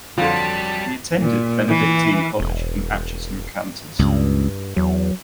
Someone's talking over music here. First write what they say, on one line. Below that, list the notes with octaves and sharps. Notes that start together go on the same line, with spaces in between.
He attended Benedictine College in Atchison, Kansas.
F2 D3 F#3 G3 F4 A5
A#2
E3
E1
C#2 G2
E2 F#3